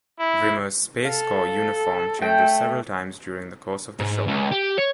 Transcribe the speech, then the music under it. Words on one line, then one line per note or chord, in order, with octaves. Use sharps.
Rimmer's Space Corps uniform changes several times during the course of the show.
E4
A4 F5
A3 G5
G#2
C#2
G4
C#5